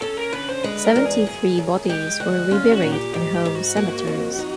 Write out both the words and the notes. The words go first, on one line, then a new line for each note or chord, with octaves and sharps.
Seventy-three bodies were reburied in home cemeteries.
C#4 A4
A#4
D3 B4
C5
G#3 B4
A#4
E2
G#4
F#2
F#2
G#3 G4
D2 F#4
C#4 F4
F#4
A#2
G4
G#2 G4
G4
G#2
F#4
A#3
F2
D#4